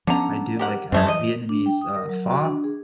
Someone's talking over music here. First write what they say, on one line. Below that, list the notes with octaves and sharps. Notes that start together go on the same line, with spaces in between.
I do, like, uh, Vietnamese, uh, pho,
D3 F3 B3 C#4 A#5
G4 A#4 F#5
F#2 F#3 G#3 A3 C4
E3 D#5
D4
G5
D#6
A#4
F#3
F#4
D4
G#4